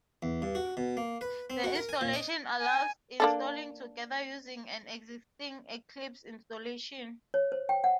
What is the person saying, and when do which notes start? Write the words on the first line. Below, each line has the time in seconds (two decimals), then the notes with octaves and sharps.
The installation allows installing Together using an existing Eclipse installation.
0.23 E2
0.42 G2
0.55 F#4
0.77 B2
0.97 A#3
1.21 B4
1.50 C4
1.64 F#4
1.75 A#4
1.89 G#5
2.01 A#2
2.13 D#5
2.61 G#5
3.20 A#3 D4 A4
7.34 C#5
7.52 C5
7.69 G5
7.84 F#5